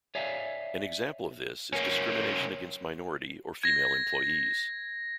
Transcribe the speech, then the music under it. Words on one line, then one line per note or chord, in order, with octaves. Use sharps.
An example of this is discrimination against minority or female employees.
C#5 D5 E5 F5 G#5
A#3 C#4
G#6 A#6